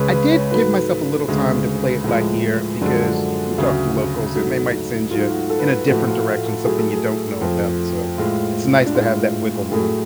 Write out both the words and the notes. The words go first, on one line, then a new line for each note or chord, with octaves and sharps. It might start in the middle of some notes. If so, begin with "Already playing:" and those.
I did give myself a little time to play it by ear because you talk to locals, and they might send ya in a different direction, something you don't know about, so, it's nice to have that wiggle room.
Already playing: C#2 C#3 G#3 B4 C#5
B4
C#5
G#2 F#3 A3 B4
D2 C#3 G#3
A2 F3 G#3
F#2 D3 F3 G#3 D4
D2 C#3 F#3
G#2 F#3 A3
G#2 F#3 A3 F4
F#4
A4
B4
A4
A2 F3 A3 F#4
F4
A4
A2 F#3 A3 G#4
A4
G#4
F2 F3 A3
A2 G#3 F4
D4
A2 G#3 F4
A2 F#3 A3 G#4